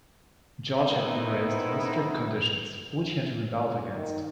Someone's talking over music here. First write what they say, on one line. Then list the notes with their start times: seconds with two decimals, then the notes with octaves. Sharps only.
George had been raised under strict conditions, which he had rebelled against.
0.87 A3 B3 C4 D#4 E4 A#4
3.95 D#3